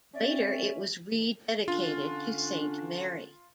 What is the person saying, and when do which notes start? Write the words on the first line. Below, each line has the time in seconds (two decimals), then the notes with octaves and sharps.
Later it was re-dedicated to Saint Mary.
0.14 C4 C#4 D5 E5
1.68 D3 C#4 D4 F4